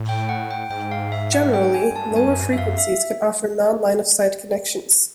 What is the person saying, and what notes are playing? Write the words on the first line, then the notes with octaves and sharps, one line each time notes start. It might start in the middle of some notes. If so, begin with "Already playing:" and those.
Generally, lower frequencies can offer non-Line-of Sight connections.
Already playing: A2
G5
F#5
G5
G#2 G5
F5
E5
F#5
G5
G#5
F#2
G2 A5
G2
G#5
F#2
G2
E5
F#2 F5
E5